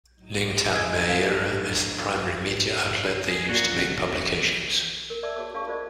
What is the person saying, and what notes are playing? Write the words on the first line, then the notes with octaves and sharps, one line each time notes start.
Ningtam Meira is the primary media outlet they use to make publications.
A2 F#3 D#4
G#4 D#5 E5 G#5
D4 A4 F5
G#4
A#2 F#4
D#1
A#4
D5 E5 A5 D6 E6
F#4 G#4 C#5 A5 D6
D4 F#4 G#4 F5 A5 C#6
F4 A#4 C5 D5 D#5